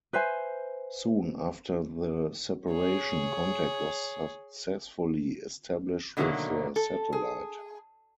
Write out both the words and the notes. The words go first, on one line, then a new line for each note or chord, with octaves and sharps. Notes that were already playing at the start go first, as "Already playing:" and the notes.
Soon after the separation, contact was successfully established with the satellite.
B4 C5 E5 G#5
G#4 C#5
B2 D3 D#3 F#3 A3 A#3
A4
G#4